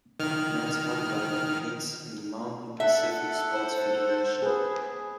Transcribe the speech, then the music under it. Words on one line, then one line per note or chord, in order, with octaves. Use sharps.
Men's Volleyball competes in the Mountain Pacific Sports Federation.
D#3 F6
A4 E5 F#5
C5
G#4 B4